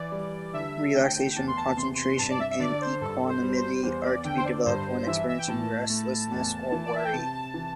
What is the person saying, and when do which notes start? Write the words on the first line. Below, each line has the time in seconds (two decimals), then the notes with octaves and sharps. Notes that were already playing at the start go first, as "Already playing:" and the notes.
Relaxation, concentration, and equanimity are to be developed when experiencing restlessness or worry.
Already playing: E3 D5
0.12 G3
0.54 D3 E5
0.94 A3 G5
1.35 E2 A5
1.47 C6
1.57 A5
1.77 C3 C6
1.95 C6
2.19 G2 A5
2.30 D5
2.40 E5
2.50 E5
2.60 D3 D5
2.81 C5
3.01 G2 A4
3.28 C5
3.43 G3
3.56 C5
3.83 E2 C5
4.04 D5
4.25 D3 G5
4.37 C5
4.45 D5
4.66 G2 C5
5.07 E3 E5
5.29 E5
5.38 G5
5.48 A2 A5
5.90 A3
6.31 E2
6.72 E3
6.86 D5
6.95 E5
7.04 G5
7.13 C3 A5
7.54 E3